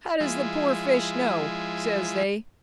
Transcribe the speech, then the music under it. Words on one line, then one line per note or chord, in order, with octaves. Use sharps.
How does the poor fish know?' says they.
F3 G#3 E4